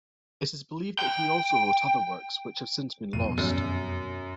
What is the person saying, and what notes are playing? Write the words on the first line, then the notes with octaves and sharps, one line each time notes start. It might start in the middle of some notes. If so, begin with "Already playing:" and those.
It is believed that he also wrote other works which have since been lost.
G5
F2 B2 D#7
F#2